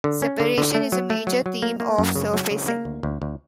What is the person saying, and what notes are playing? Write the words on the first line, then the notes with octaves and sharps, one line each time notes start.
Separation is a major theme of "Surfacing".
D3
C#4
D3
D3
A3
F#3
A3
F#3
F#3
A#3
A#3
F#2
C#3
F#3
C#3
A#3
D2
D2
D2